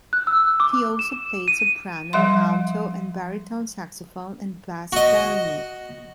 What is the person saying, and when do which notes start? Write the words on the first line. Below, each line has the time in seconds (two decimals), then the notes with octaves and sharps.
He also played soprano, alto, and baritone saxophone and bass clarinet.
0.13 F#6
0.27 E6
0.60 D6
0.99 E7
1.48 D#7
2.13 F3 G3 E5 C6
4.92 F#4 D#5